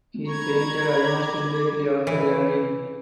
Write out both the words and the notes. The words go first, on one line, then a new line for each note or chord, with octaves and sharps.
He fainted almost immediately after landing.
A#5 B5 C#6 G#6
D6
E3